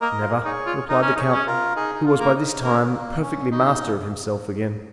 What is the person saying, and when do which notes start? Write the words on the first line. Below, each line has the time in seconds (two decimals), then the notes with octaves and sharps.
"Never," replied the count, who was by this time perfectly master of himself again.
0.01 A#3 A#4 D#5
0.20 F4
0.29 G#4
0.37 A#4
0.45 D#4 G#4 C#5
0.66 F4
0.89 D#4 A#4 D#5
1.02 C#4
1.15 D#4 G#4 C#5
1.32 C#4
1.47 F4 A#4
1.76 D#4 G#4
1.95 D#4
2.05 F4
2.20 A#3
2.35 D#4
2.63 A#3 C#4
2.92 A#3
3.22 C#4
3.51 D#4